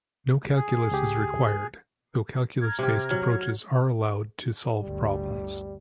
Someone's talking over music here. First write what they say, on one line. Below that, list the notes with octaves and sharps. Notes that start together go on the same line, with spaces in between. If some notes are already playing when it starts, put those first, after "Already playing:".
No calculus is required, though calculus based approaches are allowed to solve problems.
G#4
C#2 G4
A#5 F6 G#6
C3 G4
F#3
G1 D2 G2 G3